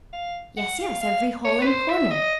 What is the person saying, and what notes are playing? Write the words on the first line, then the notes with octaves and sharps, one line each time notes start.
"Yes, yes, every hole and corner."
F5
F#5
F5
F5
C#5
B4
C5
E5
D#5